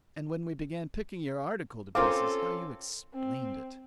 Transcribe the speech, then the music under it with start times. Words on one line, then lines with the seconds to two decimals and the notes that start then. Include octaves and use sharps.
And when we began picking your article to pieces, how you explained it!
1.95 C4 C#4 F4 A4 A#4 C5 F5 D6
3.14 C4